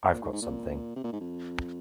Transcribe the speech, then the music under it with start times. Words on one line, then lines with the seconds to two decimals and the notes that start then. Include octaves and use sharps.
I've got something!
0.13 A#2
0.22 G#2
0.33 G#2
0.42 A#2
0.96 C3
1.04 A#2
1.12 G#2
1.20 F2